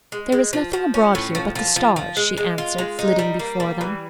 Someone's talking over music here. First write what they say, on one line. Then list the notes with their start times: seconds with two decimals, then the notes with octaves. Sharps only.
"There is nothing abroad here but the stars," she answered, flitting before them.
0.12 G#3
0.32 G#3
0.53 F3
0.73 F3
0.94 C#4
1.15 A2
1.35 F3
1.55 F3
1.76 F3
1.96 F3
2.17 G#3
2.37 G#3
2.58 F4
2.78 G#3
2.99 D#4
3.19 G3
3.39 A#3
3.60 G3
3.81 E3